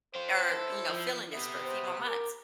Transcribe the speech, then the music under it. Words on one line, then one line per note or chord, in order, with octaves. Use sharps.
or you know feeling this for a few more months,"
C4 F4 C5
E4 A4
F3
B3 G4 E5
C5
G4 A#4